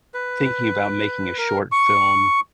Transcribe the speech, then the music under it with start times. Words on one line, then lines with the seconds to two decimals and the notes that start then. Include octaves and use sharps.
thinking about making a short film
0.14 B4
1.38 A#4
1.72 C#6